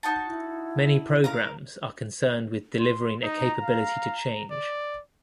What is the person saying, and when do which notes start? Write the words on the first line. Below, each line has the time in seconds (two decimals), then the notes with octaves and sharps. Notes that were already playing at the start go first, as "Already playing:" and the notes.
Many programs are concerned with delivering a capability to change.
0.03 D#4 F#4 A5
0.26 E4
1.24 A#4 F5 A#5
2.79 C6
3.23 D#4 A#5
3.62 F5
4.51 D5